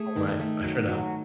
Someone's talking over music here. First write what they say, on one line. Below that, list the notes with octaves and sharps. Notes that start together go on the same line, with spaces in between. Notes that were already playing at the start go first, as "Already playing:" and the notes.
All right, bye for now.
Already playing: A3 G#4
D#3
A3
F#3
F#3